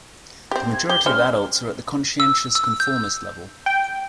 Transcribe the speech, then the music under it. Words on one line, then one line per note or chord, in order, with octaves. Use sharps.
The majority of adults are at the conscientious-conformist level.
C4 G4
G#6
G4 G7
G3 C#4 C5 F6
E6
E6
G6
G5